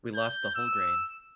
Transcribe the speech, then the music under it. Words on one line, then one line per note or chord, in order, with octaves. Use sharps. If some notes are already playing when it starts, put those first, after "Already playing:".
We lost the whole grain.
G6
E6